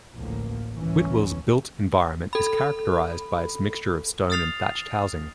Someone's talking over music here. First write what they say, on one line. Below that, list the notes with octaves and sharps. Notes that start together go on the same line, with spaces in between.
Whitwell's built environment is characterised by its mixture of stone and thatched housing.
A1 D2 A2 F3 A#3
G#1 C#2 G2 E3 C#4
A4 B5
D#6 F6 A6 C7 F7